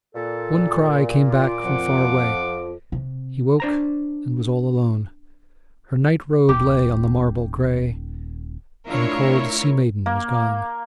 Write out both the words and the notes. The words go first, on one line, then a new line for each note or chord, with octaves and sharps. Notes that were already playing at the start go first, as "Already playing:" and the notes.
One cry came back from far away: He woke, and was all alone. Her night robe lay on the marble grey, And the cold sea-maiden was gone.
A#2 A4
F4 D6
F2 F3 F#5
C3
D4 C5 A#5
D#1 G4
A3 D4 E4 F4 A#4 C#5
A#3